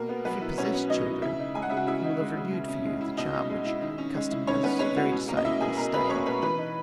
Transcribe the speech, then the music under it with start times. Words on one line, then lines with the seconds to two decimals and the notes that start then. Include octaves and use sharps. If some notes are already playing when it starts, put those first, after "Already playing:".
If you possess children, he will have renewed for you the charm which custom does very decidedly stale.
Already playing: B2 A#3 A#4
0.09 B3
0.25 F#3 B3 B4
0.41 E4
0.58 B2 C#4 C#5
0.74 B3
0.89 F#3 D#4 D#5
1.06 E4
1.22 C#3 E4 E5
1.39 D#4
1.54 G#3 G#5
1.62 F#5
1.69 C#3 E5
1.77 F#4 F#5
1.87 C#3 E4 E5
2.04 D#4
2.20 G#3
2.37 C#3
2.52 B2
2.68 C#4
2.84 G#3
3.01 E4
3.17 B2 D#4 D#5
3.33 C#4
3.50 G#3
3.65 E4
3.82 D#3
3.98 C#4
4.15 G#3
4.31 E4
4.47 D#3 C#4 C#5
4.63 B3 C#4 B4
4.79 G#3 C#4 C#5
4.96 E4 F#4
5.12 B2
5.28 A#3 C#4 A#4
5.37 D#5
5.45 A#3 E4 E5
5.60 B2 G#4 G#5
5.77 B2 A#4 A#5
5.93 C#4 B4 B5
6.10 A#3 C#5 C#6
6.26 B2 B4 B5
6.42 E3 B4 B5
6.58 D#4